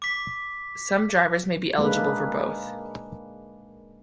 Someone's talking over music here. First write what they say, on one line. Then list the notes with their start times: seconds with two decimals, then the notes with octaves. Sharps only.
Some drivers may be eligible for both.
0.02 D6 B6
1.78 G#3 A#3 D4 B4